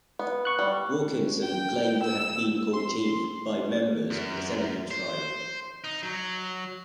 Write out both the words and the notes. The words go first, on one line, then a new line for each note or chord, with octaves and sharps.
Wilkinson claimed to have been called "Chief" by members of the Seneca tribe.
B3
C#6 F#6
G3
G5
E6
C6
F#2
C5
D#4
F#3